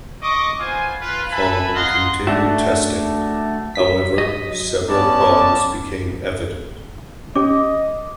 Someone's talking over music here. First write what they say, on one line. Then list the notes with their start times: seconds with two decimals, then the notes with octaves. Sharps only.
Following continued testing, however, several problems became evident.
0.23 D#5 C#6 D6
0.60 B3 F4 C5 G#5
1.01 F4 B4
1.31 A4 B4 E5 G#5 A5 B5
1.75 D#5 F5 F#5 A#5 C6
2.27 A3 D4 F#4 E5 A5
3.75 F#3 B6
4.18 D#5
4.89 B3 C#4 D5 A5
7.36 C#4 G4 D#5 D6